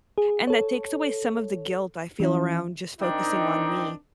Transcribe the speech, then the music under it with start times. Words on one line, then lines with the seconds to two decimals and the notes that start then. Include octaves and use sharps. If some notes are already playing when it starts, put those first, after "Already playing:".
and that takes away some of the guilt I feel around just focusing on me.
0.18 G#4
0.47 A4 C#5
2.20 E3 C#4 E4
3.00 D#3 C4 D4 D#4